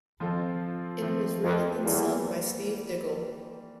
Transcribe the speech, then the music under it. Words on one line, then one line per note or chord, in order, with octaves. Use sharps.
It was written and sung by Steve Diggle.
F2 F3 C4 F4 A4
F3 A3 C4
F2
E2 E3 G3 A#3